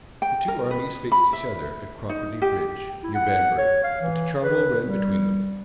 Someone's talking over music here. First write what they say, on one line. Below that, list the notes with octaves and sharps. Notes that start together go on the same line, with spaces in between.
The two armies faced each other at Cropredy Bridge, near Banbury; but the Charwell ran between them.
G5
A#4
B4
B5
E5
D#4
G4
E4
F#5
C#5
F5
E3
B4
G3